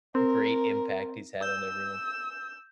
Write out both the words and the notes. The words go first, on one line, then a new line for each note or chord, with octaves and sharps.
great impact he's had on everyone.
C4 A#4
E6 G6